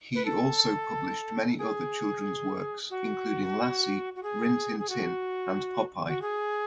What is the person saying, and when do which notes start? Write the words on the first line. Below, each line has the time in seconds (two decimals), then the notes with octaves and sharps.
He also published many other children's works, including Lassie, Rin Tin Tin, and Popeye.
0.15 B4
0.25 A4
1.58 G#4
2.90 F#4
4.16 F#4
4.23 G#4
4.79 G#4
4.89 F#4
6.08 F#4
6.22 G#4